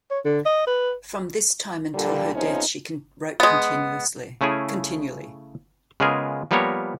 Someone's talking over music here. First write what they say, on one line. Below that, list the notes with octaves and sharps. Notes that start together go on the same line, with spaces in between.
From this time until her death, she wrote continually.
C#5
D3
D#5
B4
A#2 D3 G3
F2 C3 F3 B3 C#4 D#4
G#3 B3
C#3 A3 C#4 E4 G#4
C#3 G#3 B3 F4 G#4 A#4
F3 G3 A#3 B3 A#4 C#5